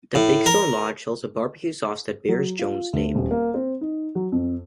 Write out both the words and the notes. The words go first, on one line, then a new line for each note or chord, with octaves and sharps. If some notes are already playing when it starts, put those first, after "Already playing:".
The Big Stone Lodge sells a barbecue sauce that bears Jones' name.
A2
A#4
F#3
F4
D2
D#1
A#3
C4
D#4
F#3
F2